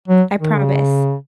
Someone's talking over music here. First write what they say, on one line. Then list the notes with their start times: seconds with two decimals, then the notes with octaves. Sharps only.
I promise.
0.08 F#3
0.40 D#3
0.57 C#3